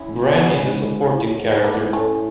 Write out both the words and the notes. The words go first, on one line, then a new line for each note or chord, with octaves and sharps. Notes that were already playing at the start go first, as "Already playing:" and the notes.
Gran is a supporting character.
Already playing: C#4 E4
B2
F#4
G#2 C#4 E4
A2
G#2
A2 B3 D4
A3 C#4